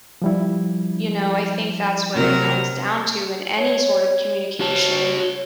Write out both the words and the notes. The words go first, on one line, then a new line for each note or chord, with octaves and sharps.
you know, I think that's what it comes down to in any sort of communication,
F3 G3 E4
C3 F#3 A#4
C#5
F#4 C#5 A5